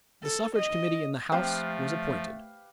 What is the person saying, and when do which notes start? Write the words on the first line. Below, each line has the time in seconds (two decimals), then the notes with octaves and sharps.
The Suffrage Committee in the House was appointed.
0.23 A4
0.56 D#5
1.32 F3 A3 C4 G4 B4 F5